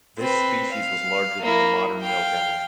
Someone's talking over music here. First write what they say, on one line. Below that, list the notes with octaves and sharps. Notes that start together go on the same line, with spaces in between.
This species was larger than the modern nilgai.
C4 B4
F5
A#3 E4
F5 G5